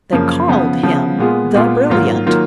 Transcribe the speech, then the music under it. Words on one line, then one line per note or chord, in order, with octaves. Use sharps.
They called him THE BRILLIANT.
F#2 C#3 F3 A#3
C#3 F3 B3
C#3 F3 B3
A#2 G#3 B3 F4 G#4
A#2 G#3 B3 F4 G#4
G#2 D#3 F#3 A#3 F4
D#3 F#3 A#3 F4